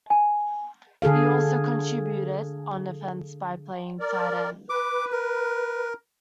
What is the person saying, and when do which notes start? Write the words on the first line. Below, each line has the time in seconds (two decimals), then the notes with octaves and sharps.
He also contributed on offense by playing tight end.
0.10 G#5
1.02 D3 G#4 A4 F5
4.00 A#4 D5
4.70 B4 D6
5.12 A#4